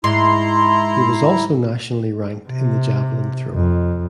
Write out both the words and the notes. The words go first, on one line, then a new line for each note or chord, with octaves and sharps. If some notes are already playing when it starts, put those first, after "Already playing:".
He was also nationally ranked in the javelin throw.
G#2 E4 A#5 C6
C3
F2